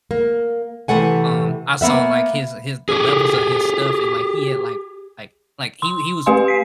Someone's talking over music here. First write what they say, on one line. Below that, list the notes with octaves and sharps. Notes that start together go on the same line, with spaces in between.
um, I saw, like, his his the levels of his stuff and, like, he had, like like like he he was t
A#3
C3 E3 A3 F#5 G#5
A#3 B3 E5 F#5
G4 G#4
C6
A3 G4 B4 F5 G#5 C6
B6 C7